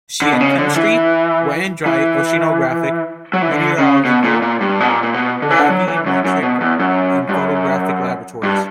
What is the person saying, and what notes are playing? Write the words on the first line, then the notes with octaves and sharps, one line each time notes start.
She had chemistry, wet and dry oceanographic, meteorological, gravimetric, and photographic laboratories.
D3
B2
C#3
D3
E3
E3
F#3
E3
D3
C#3
B2
A#2
A#2
G2
B2
A#2
A#2
B2
D3
E3
D3
F#3
E3
F#2
F#2
B2
E2
F#2
G2
F#2
G2